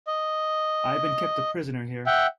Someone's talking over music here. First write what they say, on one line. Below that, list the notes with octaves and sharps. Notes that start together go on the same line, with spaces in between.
I have been kept a prisoner here.
D#5
E5 F#5 G5